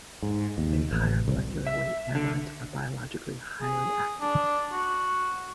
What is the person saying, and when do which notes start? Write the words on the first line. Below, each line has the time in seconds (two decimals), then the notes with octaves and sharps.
Many higher molecular weight amines are, biologically, highly active.
0.22 G#2
0.58 D#2
0.91 A1
1.28 C2
1.67 E5
2.15 D3
3.61 G#4
4.21 D4
4.73 F#4